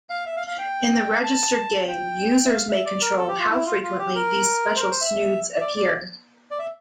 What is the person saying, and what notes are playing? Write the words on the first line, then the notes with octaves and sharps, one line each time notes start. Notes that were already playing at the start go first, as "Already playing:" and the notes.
In the registered game users may control how frequently these special Snoods appear.
F5
E5
F5
F5
G5
A5
G5
E5
F5
E5
D5
A#4
A4
G4
F4
E4
F4
F4
G4
A#4
C5
A#4
C5
E5
E5
D5
D5
D5
E5